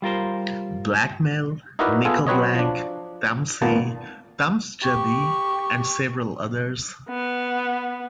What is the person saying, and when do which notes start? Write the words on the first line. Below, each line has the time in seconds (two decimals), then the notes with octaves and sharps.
Blackmail, Nico Blank, "Tamsi" Tamsjadi, and several others.
0.02 G3 F4 A#4 C5
1.79 D#4 E4 F#4 A#4 B4 D5
2.05 B3 F4 G#4 A4
2.27 F#3 C4 B4 C#5 D#5
2.55 F3 D4
3.62 G#1 A#2 A#3 B3 A5
4.83 G4 C#6
7.09 B3